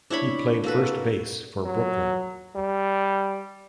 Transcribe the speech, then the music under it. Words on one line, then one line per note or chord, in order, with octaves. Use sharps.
He played first base for Brooklyn.
D4 E4 C#5 B5
A#3 F#4 A4 B4
F#3
G3